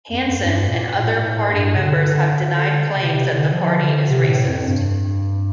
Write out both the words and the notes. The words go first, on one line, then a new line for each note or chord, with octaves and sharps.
Hanson and other party members have denied claims that the party is racist.
F2
F2
G2
A#2
A2
A2
G2
C3
D3
D3
C3
C3
D3
F3
D3
C3
A2
F2
G2